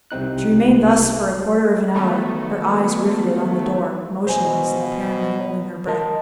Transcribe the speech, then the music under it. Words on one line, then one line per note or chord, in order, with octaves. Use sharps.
She remained thus for a quarter of an hour, her eyes riveted on the door, motionless and apparently holding her breath.
C2 C3 C4 D#4 F#6
D#3 F#3 A3 B3
B2 C5 G#5
A#4 D#5 A5